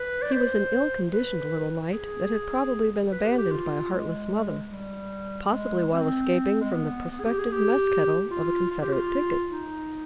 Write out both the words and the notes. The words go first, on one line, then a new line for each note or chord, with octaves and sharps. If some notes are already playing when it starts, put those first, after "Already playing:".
He was an ill-conditioned little mite that had probably been abandoned by a heartless mother, possibly while escaping from the prospective mess-kettle of a Confederate picket.
Already playing: B4
D5
C5
B4
G#4
B4
G4
G4
F4
G#3
G3
G#3
C4
G#3
B3
B3
G#4
G4
G#4
G4
F4
F4
G4
F4
D#4